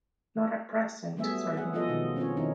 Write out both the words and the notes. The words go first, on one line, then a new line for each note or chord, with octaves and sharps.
Not at present, certainly.
F#3 G3 A3 B3 G#4 E5
G#4 F#5
F3 B3 F4 A4 D#5
B2 D#3 F#3 G#3 B3
C4 C#4 F4 C#5
D#3 C4 C#4 D#4 E4 A#4